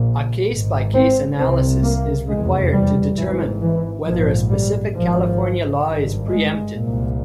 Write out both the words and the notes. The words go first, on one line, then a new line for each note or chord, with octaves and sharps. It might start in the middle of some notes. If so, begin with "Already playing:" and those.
A case-by-case analysis is required to determine whether a specific California law is preempted.
Already playing: A#1 A#2
G#1 G#2
C4
C2 C3 C4
A#3
F1 E2 C3 G#3
G3
G#1 G#2 E3
E3
A#1 G#2 F3
G3
G#1 G#2 F3
G#1 G2
G#3
C2 A#2